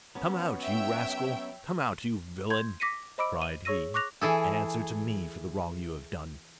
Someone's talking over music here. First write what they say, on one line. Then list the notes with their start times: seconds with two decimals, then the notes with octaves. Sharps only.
'Come out, you rascal! come out, you villain!' cried he, 'and answer to me for the wrong you have done.
0.15 F#3 B3 C#4
0.61 C#5 E5 G5
2.50 C6 G6 G#6
2.80 D6 A#6 B6 C#7 D#7
3.18 C5 D#5 B5 D6 E6 D7
3.42 D#7
3.65 G#4 C#5 C#6 E6 A#6 D#7
3.94 C#6 D6 F#6 A#6 F7
4.21 E3 G#4 A4